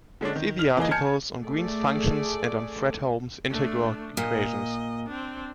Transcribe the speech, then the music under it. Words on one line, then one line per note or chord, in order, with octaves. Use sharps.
See the articles on Green's functions and on Fredholm integral equations.
D3 G#3 C#4 D4
D#3
F6 F7
E3 A#3 G#4 D#5
G#5 A5 F6 G6 G#6 C#7
A3 G#4 D5
A3 D4
A#2 D#5
C4 D4